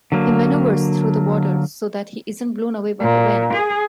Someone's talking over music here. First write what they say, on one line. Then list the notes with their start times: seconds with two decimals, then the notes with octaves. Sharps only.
He manoeuvres through the water so that he isn't blown away by the wind.
0.12 D3 F#3 A#3
3.02 A#2
3.54 G#4